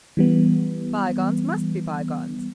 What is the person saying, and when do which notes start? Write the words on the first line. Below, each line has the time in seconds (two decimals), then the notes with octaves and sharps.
Bygones must be bygones.
0.17 E3 G3 B3